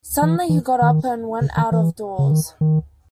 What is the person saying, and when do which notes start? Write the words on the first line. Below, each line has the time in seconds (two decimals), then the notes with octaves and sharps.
Suddenly he got up and went out of doors.
0.22 E3
0.49 E3
0.82 D#3
1.41 C#3
1.57 D#3
1.72 E3
2.19 C#3
2.31 D#3
2.61 D#3